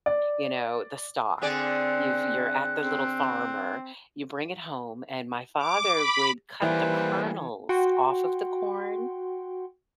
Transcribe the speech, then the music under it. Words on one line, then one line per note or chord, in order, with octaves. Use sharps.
you know, the stalk. You've you're at The Little Farmer, you bring it home, and my father would cut the kernels off of the corn,
D5
D3 C4 G#4 D5 F#6
C4
D6
B5
E3 G3 A#3 B4 C5 D5
F#4 F#5 G5 C6